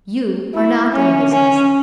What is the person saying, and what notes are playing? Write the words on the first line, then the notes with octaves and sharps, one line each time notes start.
You are not in the business.
E4
C#4
C#4